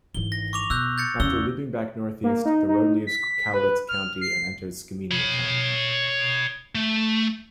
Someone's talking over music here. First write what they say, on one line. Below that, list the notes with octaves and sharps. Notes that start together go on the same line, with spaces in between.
After looping back northeast, the road leaves Cowlitz County and enters Skamania County.
G#1 E3 G7
A#6
C#6 D6 F7
B2 E6 F#6 G6
G6 A6 C#7
E2 C#3 E6 G7
A#3
D#4
D#4
B6
B4
F6
C7
C#5 B5
A3